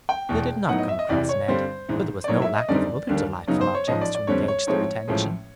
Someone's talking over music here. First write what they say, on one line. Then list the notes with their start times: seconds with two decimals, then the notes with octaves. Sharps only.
They did not come across Ned, but there was no lack of other delightful objects to engage their attention.
0.09 G5
0.29 E1 E2 B2
0.69 A2 F#3 B3 D#4 F#5
0.78 D#5
0.89 E5
0.99 D#5
1.09 E2 C3 E3 D5
1.29 C#5
1.48 G2 D3 G3 C4 C5
1.89 A#1 G#2 E3
2.24 D5
2.28 A2 F#3 A#3 D#4 C#5
2.42 E5
2.55 D#5
2.69 F#2 D3 G3 C4 D#4 D5
3.09 D#2 D3 G3 A#3
3.47 F#2 C#3 F#3 B3 D#4
3.61 C5
3.75 C#5
3.87 A1 G#2 F3 D#5
4.01 D5
4.15 D5
4.27 F2 D3 G3 C4 C#5
4.48 C#5
4.67 A2 F3 G#3 C4 D#4 C#5
5.08 A1 A2 F3 G#3